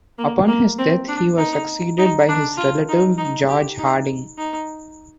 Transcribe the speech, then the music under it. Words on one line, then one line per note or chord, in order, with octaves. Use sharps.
Upon his death he was succeeded by his relative George Harding.
A#3
A#3
C4
D4
D#4
D#4
D4
F4
D#4
D#4
G4
D#4
D#4